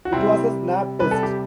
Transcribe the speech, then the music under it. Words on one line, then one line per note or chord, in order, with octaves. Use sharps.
It was a snap test.
F#4
C3 G3 C4 E4
C3 G3 B4
A4
G4